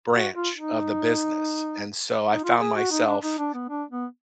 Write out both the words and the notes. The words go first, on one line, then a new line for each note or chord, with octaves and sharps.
branch of the business, and so I found myself,
F#4
F4
D#4
D#4
F4
G#4
F#4
D#4
D4
D#4
D4
B3
D4
B3